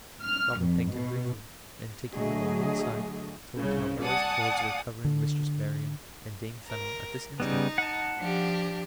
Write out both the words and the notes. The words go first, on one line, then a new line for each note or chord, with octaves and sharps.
Robin thanked him gratefully, and, taking him on one side, told how boy's clothes were covering Mistress Marian and Dame Fennel at this instant.
F6
F2
B2
D3 F#3 A3 G#4 D#5
C2 C#3
D5 F#5 G#5 A5 D#6
D3
A#4
C#3 G3 B3 D#4
F#5 A5
F3 D4 G4